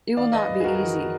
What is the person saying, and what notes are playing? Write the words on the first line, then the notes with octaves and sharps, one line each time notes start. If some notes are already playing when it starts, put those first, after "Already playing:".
It will not be easy.
D#3 D5 F5
D#3 B4 D#5
F#2
G#4
F#2 F#4 A#4
D#3
D#3